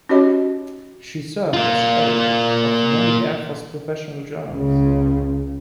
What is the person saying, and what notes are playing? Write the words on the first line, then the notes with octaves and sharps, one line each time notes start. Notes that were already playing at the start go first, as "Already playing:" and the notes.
She served as editor of many Air Force professional journals.
C#4 D#4 F#4 G4 C#5 D#5
A#3 F4
C#2 C#3